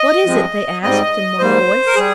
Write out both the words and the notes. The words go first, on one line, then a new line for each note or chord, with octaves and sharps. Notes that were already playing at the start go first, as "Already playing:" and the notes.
"What is it?" they asked, in one voice.
Already playing: D#5
G2 F3 G#3 C4
G#2 G3 C4 D#5
G#2 G3 A#3 C5
A#4
G3 G#4